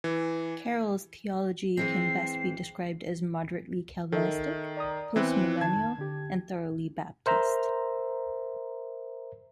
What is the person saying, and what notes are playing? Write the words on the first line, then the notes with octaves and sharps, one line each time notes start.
Carroll's theology can best be described as moderately Calvinistic, postmillennial, and thoroughly Baptist.
E3
E3 G#3 C4 C7
D#3 A4 D#5 E5
D5 A#5 D#6
E3 B3 C4 E4 F#6
D#3 A5 G#6
D3 G4
A#4 C5 E5 A#5